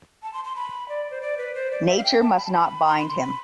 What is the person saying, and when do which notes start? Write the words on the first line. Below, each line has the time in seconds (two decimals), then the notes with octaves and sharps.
Nature must not bind him.
0.23 A5
0.34 C6
0.45 C6
0.56 B5
0.89 D5
1.11 C5
1.22 D5
1.38 B4
1.55 C5
1.71 D5
1.87 E5
1.97 F5
2.04 G5
2.21 A5
2.37 B5
2.45 A5
2.53 B5
2.87 C6
2.97 B5
3.08 C6
3.20 B5